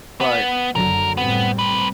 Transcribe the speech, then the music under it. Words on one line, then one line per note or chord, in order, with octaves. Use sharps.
but but
B3
F#1 D3 F#3 A#4
A2 G3 B3 C4
C3 B4